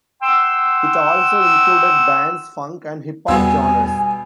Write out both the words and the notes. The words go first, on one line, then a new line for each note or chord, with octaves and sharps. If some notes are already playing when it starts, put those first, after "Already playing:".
It also included dance, funk, and hip hop genres.
F#5 G5 C6 E6
E2 B2 G3 B3 G#5 E6